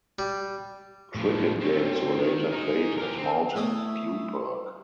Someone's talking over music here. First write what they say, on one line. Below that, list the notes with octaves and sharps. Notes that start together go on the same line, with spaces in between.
Cricket games were later played at Mountain View Park.
G3
A2 F3
C4 C#5
D#3
D#4 G#4
G4 A#4
C4
A3 E4 C#5 D#5